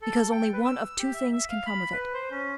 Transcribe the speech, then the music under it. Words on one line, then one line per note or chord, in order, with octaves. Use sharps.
"Because only one of two things can come of it."
A4
G5
B4
E6
G4
E5
E5
F5
B5
B4
C5
C#4